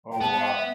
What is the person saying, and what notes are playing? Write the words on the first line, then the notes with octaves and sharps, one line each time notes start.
Oh, wow.
G5
B3 A5
A5
F5
G5
E5